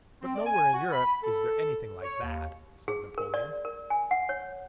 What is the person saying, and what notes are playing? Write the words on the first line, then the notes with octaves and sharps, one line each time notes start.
"But nowhere in Europe is there anything like that," said Napoleon.
C4
D5
G#5
F#4
B5
A4
C#5
D#2
G#4
A#4
D5
A#4
G#5
F#5
C#5